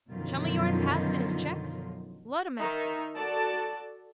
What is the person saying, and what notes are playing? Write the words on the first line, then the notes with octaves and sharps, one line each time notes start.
Chum o' yourn passed in his checks? Ludamassy!
F#2 B2 D3 D#3 F3 F4
D#3 D#4 E5
F#4 A4 D5 A5